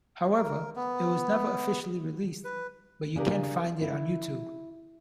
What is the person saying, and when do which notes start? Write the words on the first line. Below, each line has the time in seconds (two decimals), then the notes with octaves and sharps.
However, it was never officially released, but you can find it on youtube.
0.37 A#4
0.76 B3
2.44 B4
3.16 C#3 D4 G4 A#4
3.82 E4